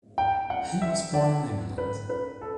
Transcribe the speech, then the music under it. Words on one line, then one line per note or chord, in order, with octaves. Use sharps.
He was born in England.
G5
F#5
E5
D5
B4
B4
A4